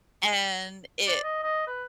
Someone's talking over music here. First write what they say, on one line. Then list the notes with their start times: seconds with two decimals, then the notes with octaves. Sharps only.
and it
1.07 D5
1.23 D#5
1.44 D#5
1.67 B4